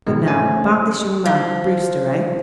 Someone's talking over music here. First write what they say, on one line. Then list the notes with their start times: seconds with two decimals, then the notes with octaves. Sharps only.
But now about this young man--Brewster--eh?
0.07 G#2 B2 D#3 G#3
0.27 A3 C#4 C5 G#5
1.25 F3